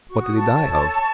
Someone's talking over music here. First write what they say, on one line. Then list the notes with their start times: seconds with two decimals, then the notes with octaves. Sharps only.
"What did he die of?"
0.10 F#4 C#6
0.24 D#6
0.37 A5 C#6
0.56 A4 C#5